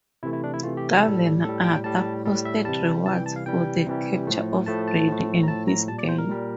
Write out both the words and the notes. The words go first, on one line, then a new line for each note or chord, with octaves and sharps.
Governor Arthur posted rewards for the capture of Brady and his gang.
C3 E3 A3 E4
E4
D4
E4
C3 E3 A3 F4
G4
A2 G3 A4
A2 G3 A4
G5
A2 G3 A5
A2 G3
E5
C3 E3 G3 A5
C3 E3 G3 A5
G5
A5
F5
C3 E3 G3 G5
C3 E3 G3
A2 F3 A3
A2 F3 A3 A5
A5
A2 F3 A3
A#5
A2 F3 A3 A5
A#5
A#2 G3 A5
D5
C5
A#4
A#2 G3